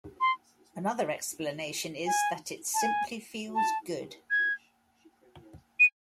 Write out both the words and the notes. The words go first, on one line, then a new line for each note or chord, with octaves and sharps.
Another explanation is that it "simply feels good".
C6
G#5
A5
G#5
A5
G#6
D#7